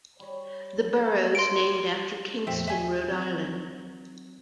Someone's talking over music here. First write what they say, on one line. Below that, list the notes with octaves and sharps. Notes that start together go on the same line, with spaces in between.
The borough is named after Kingston, Rhode Island.
G3 C#5
C6 D7
F2 A#2 F3 G4 C5 E5
D#2 E5 G#5
F#3 C4